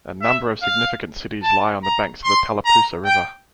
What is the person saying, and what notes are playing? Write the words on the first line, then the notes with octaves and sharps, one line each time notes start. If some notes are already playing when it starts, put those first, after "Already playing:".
A number of significant cities lie on the banks of the Tallapoosa River.
E5
F5
A5
A#5
C6
A#5
G5